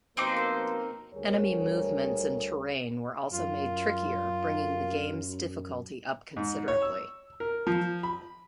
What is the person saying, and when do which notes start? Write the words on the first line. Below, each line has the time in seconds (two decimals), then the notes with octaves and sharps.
Enemy movements and terrain were also made trickier, bringing the game's difficulty up considerably.
0.17 B2 F3 A#3 C4 D#4 C5 D6
1.14 D2 G3 G#4 A#4 C#5
3.32 F#2 F4
6.37 G#2
6.68 C#5
6.82 E6
7.40 A#4
7.67 F3
8.03 B5